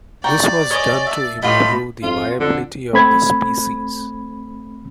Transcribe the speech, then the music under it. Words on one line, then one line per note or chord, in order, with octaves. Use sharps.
This was done to improve the viability of the species.
D5 G5 A#5 C#6
C#5 D#5 G#5
E5 A5
A2 F4 G4 D#5 B5
F2 F4
F2 D3
A3 C4 B5 G#6